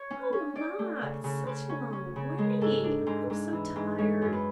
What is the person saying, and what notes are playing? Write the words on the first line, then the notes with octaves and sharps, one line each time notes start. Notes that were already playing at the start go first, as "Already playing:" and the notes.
'Oh! mamma, it's such a long way, and I am so tired.'
Already playing: C#5
C#4
C#4
C#4 D5
A3
C#3
C#3
C#3
C#4
C#4
C#3
G#3
G#2 A4
D4
G#2
G#2
E3
G#2
G#3 C#5
F#2
B4